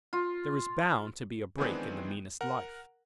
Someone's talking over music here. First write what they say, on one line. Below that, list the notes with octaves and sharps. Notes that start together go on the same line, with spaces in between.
There is bound to be a break in the meanest life.
F4
D#3 E3 G#3 B3 C4 D4
A#4 F#5